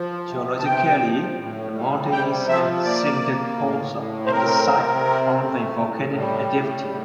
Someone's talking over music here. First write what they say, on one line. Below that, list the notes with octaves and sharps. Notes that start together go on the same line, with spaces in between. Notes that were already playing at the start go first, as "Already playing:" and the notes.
Geologically, the mountain is a cinder cone of andesite, formed by volcanic activity.
Already playing: F3
C3
A5
C3 G5
F3
A2
G3
C3 G5
F3 E5
A#3 D5
A#3
A2
A2
C5
C4 A#4
C3
C4
A3
A2
G3
A2
A2